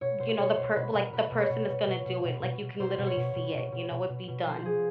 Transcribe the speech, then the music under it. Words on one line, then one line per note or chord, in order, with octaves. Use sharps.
you know, the per well, like, the person is gonna do it, like you can literally see it you know, it'd be done,
B2 C#5
B2 C5
B2 C#5
B2 C5
B2 B4
B2 A#4
B2 B4
B2
C#5
B2
B2
B2
B2
B2
B2
B2
B2 C5
B2
C#5
B2
B2
B2
B2
B2
B2
B2
F3 C5
F3 G#4